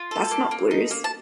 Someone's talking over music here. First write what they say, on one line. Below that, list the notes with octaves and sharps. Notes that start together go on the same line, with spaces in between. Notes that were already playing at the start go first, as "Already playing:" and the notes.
That's not blues!
Already playing: F4
A4
A#3
A#3
D#4
A#3
A5